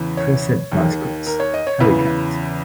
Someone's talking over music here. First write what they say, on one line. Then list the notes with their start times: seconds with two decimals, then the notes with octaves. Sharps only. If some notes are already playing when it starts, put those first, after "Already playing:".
Present Mascots: Halicat.
Already playing: E2 C#3 E3
0.17 C#5
0.72 D#2 D#3
1.27 A#4
1.40 C#5
1.54 D#5
1.67 C#5
1.81 E2 C#3 E3 B4